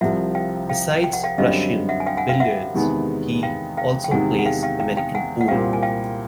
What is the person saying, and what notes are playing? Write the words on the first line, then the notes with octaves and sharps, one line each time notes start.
Besides Russian billiards, he also plays American pool.
C2 C3 F3 E5 F#5
F5 G5
F5 G5
G5
F#5
F5 G5
F#2 D3 G3 C4 D#5 F5
E5 F#5
G#5
F5 G5
F#5 G#5
F5 G5
E5 F#5
E2 C3 D#3 G#3 B3
F5 G5
F5 G5
G5
E2 C3 D#3 G#3 F#5 G#5
F#5
F5 G5
F5 G5
F5 G5
F5 G5
F#5 G#5
F#5
C2 A#2 G3 C4 F4 F5 G5
G#5
F5 G5